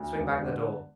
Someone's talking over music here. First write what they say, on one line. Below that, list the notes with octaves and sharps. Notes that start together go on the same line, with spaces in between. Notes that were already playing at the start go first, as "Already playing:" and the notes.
Swing back the door.
Already playing: D2
E1
D3